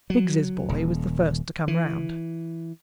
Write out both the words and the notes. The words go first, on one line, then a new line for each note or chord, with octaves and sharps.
Biggs's boy was the first to come round.
F#3
D#1
E3